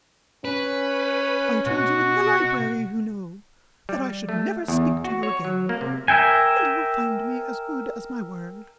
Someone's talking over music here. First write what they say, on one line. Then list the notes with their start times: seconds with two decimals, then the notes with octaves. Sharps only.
I told you in the library, you know, that I should never speak to you again, and you will find me as good as my word.
0.45 C#4 B4
1.67 B2 F#4
3.89 G3
4.29 A3
4.68 E2
5.04 F#4
5.23 C#5
5.45 F#3
5.69 A#3
5.81 C3
6.08 A#4 E5 G5 G#5